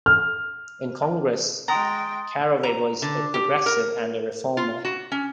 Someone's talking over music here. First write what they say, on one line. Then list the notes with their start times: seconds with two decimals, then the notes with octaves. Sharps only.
In Congress, Caraway was a progressive and a reformer.
0.06 F6
1.68 G#3 G5 A#5 C6 D#6 A6
2.63 A#5
3.02 D3
3.34 G4
3.66 A#4
4.57 F4
4.85 F#4
5.12 C#4